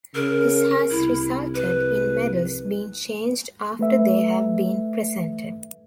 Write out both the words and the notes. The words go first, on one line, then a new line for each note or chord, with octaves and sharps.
This has resulted in medals being changed after they have been presented.
C#3 A#4
C2 E4
B4
A3 B4 E5